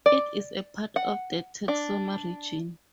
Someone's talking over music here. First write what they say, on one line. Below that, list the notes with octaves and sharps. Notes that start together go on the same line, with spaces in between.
It is a part of the Texoma region.
D5
F#5
D4